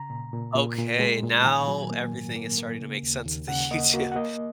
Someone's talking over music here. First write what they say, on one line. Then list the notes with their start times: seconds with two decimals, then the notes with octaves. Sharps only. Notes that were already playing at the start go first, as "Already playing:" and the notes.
Okay, now everything is starting to make sense to YouTube.
Already playing: C#3 A#5
0.10 A#2
0.33 A#2
0.55 A#2
0.78 A#2
0.99 G#3
1.23 A#2
1.45 D#3 G#5
1.68 F#3
1.91 A#3
2.13 G#2
2.36 A#3
2.58 A#3
2.81 C#3
3.03 D#2
3.26 D#2
3.48 C#3 F#5
3.71 A#3 D#5
3.94 A#3 F#4
4.12 F#5
4.16 A#3 D#5